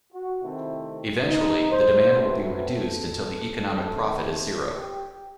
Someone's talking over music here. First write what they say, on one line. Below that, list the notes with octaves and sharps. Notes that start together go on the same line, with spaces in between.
Eventually, the demand will be reduced until the economic profit is zero.
F#4
C3 D#3 A3 C4 E4
D#4
C5
C3 F#3 A3 C4 B4
B4
A4
D#3 A3 C4
G4